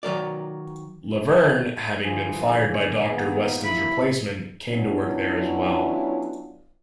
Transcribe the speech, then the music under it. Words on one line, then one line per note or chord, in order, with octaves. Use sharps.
Laverne, having been fired by Doctor Weston's replacement, came to work there as well.
D#3 F#3 A#4 D5
D3 E3 F3 G#4
D#3 A#3 B3 F4
E4 B5
F#3 B3 C#4 D4 E4 F4